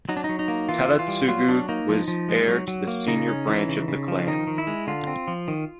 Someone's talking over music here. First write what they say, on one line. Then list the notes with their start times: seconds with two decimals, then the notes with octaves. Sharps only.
Tadatsugu was heir to the senior branch of the clan.
0.09 F#3 D#4
0.17 D4
0.24 D#4
0.29 F#3
0.39 D#4
0.48 A#3
0.69 E3 F4
0.88 E3
0.99 F4
1.08 G3
1.28 F#3 F4
1.48 F#3 D4
1.69 A#3 D#4
1.89 F3
2.08 F3
2.29 G#3
2.48 F#3
2.68 F#3
2.87 A#3
3.07 C#3 D#4
3.28 C#4
3.47 E3
3.68 C#3
3.88 C#3
4.08 F3
4.27 D#3 D#4
4.47 D#3
4.58 E4
4.67 G#3
4.87 D3 F4
5.07 C4
5.28 F3
5.48 D#3